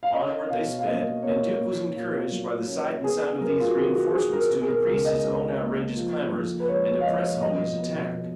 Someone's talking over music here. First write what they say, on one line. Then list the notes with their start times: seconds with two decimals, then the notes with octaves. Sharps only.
Onward they sped, and Duke was encouraged by the sight and sound of these reenforcements to increase his own outrageous clamours and to press home his attack.
0.03 F5
0.13 C#4 D#5
0.49 B2 F5
0.79 F5
0.86 A#3 D#5
1.22 A#3 C#5
1.59 A#2
1.95 A#2
2.32 F#3
2.68 C#4
3.04 B3 G#4
3.41 F#3 A#4
3.59 F4
3.68 F#4
3.78 D#3 G#4
3.95 F#4
4.09 F#4
4.13 D#3 G#4
4.32 A#4
4.50 B2 A#4
4.61 G#4
4.68 A#4
4.87 C#2 A#4
5.05 D#5
5.23 C#2
5.59 A#3
5.96 F3
6.32 F2
6.60 B4
6.68 G#3 C#5
7.00 F5
7.05 F2 D#5
7.41 B2 D#5
7.78 B2
8.14 B2